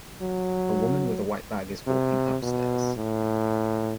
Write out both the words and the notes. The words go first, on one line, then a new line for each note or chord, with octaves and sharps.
A woman with a white bag is walking upstairs.
F#3
C3
B2
A2